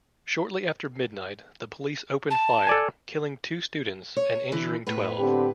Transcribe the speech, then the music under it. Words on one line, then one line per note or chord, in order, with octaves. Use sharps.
Shortly after midnight, the police opened fire, killing two students and injuring twelve.
A5
A4 D5 G#5
C#5
D3 E3
A2 B3 B4
D3 C4 G4